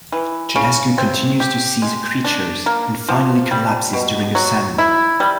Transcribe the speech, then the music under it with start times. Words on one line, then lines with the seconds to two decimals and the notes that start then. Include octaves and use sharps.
Jonascu continues to see the creatures, and finally collapses during a sermon.
0.12 E3
0.56 C#3
0.98 C4
1.40 G4
1.82 G#3
2.24 D4
2.66 A#3
3.09 F3
3.51 G3
3.93 B2
4.35 F#3
4.78 E4
5.20 G3